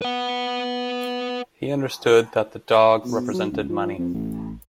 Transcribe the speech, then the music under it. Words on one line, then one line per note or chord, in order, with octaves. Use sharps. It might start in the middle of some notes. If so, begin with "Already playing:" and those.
He understood that the dog represented money.
B4 F#5
B2
F#3
C#2
F3
F2
A1